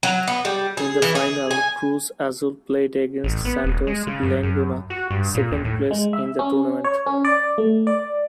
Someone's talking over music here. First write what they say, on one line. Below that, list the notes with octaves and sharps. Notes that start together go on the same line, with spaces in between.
In the final, Cruz Azul played against Santos Laguna, second place in the tournament.
F#3
B3
G3
G#4
E3
G#4
G#5
A1
B3
D#1
G#3
C#3
F#2
F#2
F#4
G2
A#2
D#2
A2
G#3
E5
C#4
C#5
C#4
D5
A3
D5